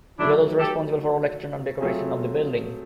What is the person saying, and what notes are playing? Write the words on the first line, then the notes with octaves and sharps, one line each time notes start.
He was also responsible for all the external decorations of the building.
D#3 F#3 A3 D4 E4
G4 A4
F#3 A3 C4 F4 G#4